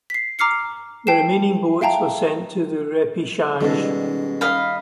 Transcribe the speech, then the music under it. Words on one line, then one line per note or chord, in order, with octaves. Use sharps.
The remaining boats were sent to the repechage.
B6 C7
A#5 D6 F6 C7 C#7
G5 A5 C7 E7
E5 F5 G5 A5 A#5
G#2 B2 D#3 G3 C#4 A4
D#5 F5 B5